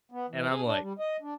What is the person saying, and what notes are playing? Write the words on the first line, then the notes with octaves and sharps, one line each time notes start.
and I'm like
B3
E3
G#4
D4
G3
D#5
D4